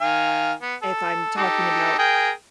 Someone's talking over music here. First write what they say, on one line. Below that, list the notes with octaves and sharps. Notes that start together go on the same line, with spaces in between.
if I'm talking about
D#3 F5 G#5
B3
A4
D#4 G4 A4
G#4 A#4 G5